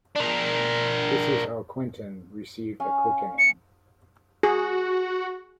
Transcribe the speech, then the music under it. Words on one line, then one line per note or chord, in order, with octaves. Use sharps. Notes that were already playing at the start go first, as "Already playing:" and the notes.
This is how Quentin received a Quickening.
D4 A#4
C#4 F5 G#5
C#7
F#4 G#4